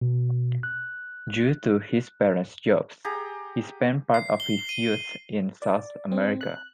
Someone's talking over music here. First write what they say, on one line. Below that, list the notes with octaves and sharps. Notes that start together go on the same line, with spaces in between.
Due to his parents' jobs he spent part of his youth in South America.
B2
F#6
G4 G#4 F#5 A#5
C7
G7
D#7
D5
C4
F#6